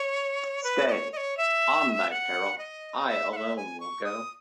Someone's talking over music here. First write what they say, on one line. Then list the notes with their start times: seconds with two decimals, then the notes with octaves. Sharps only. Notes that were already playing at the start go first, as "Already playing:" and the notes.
Stay, on thy peril: I alone will go.
Already playing: C#5
0.64 B4
0.88 D#5
0.92 C#5
1.13 D#5
1.17 C#5
1.37 E5
2.10 F#5
2.58 D#5
3.07 E5
3.32 F#5
3.36 E5
3.56 G#5
3.80 C#6
4.04 D#6